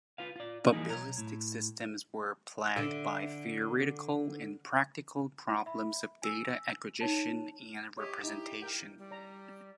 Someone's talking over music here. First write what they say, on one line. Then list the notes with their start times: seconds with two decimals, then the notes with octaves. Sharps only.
Probabilistic systems were plagued by theoretical and practical problems of data acquisition and representation.
0.18 F4 B4 F5
0.36 F4 D5
0.72 E3 F3 G3 A#3 D#4 G#4
0.90 B1 C#5 A#5
1.18 A2
2.76 D3 E5
5.66 E5 B5
6.22 G#5 E6
7.01 D#4 C#5 A5
7.98 G4 C#5 D#5 E5
8.23 D#4 E4
8.62 A#4 G5
8.99 G3
9.11 D5 A#5